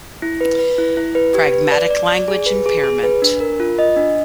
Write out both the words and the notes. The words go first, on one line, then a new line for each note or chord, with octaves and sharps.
Pragmatic language impairment.
E4
B4
B4
E4
E4
B4
G4
B4
D5
D5
D5
G#4
B4
G#4
G#4
B4
D4
A#4
F4
D#5
D4